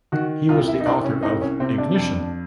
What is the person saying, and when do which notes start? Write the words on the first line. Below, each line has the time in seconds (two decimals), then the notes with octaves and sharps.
He was the author of Ignition!
0.12 D#3 F#4
0.49 C2 F4
0.68 E4
0.80 D#4
0.86 C2 D4
1.04 C#4
1.23 C2 D#4
1.41 C#4
1.60 C3 C4
1.78 D4
1.97 F2